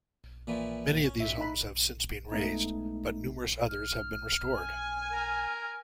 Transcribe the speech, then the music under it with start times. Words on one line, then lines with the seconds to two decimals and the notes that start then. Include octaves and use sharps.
Many of these homes have since been razed, but numerous others have been restored.
0.47 A#2 E3 F3
1.04 C#4
1.20 E5
1.38 D#4 B5
2.32 G#3 A3 B3 D#4
3.69 F6
4.57 G#5
5.12 A#4